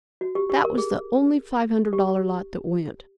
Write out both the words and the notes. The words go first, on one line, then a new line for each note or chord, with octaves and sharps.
That was the only five-hundred-dollar lot that went.
F#4
G4
G4
A#4
G#4
G4